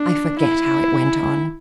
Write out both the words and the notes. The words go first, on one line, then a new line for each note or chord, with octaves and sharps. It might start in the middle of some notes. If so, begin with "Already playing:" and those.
I forget how it went on.
Already playing: D4
E4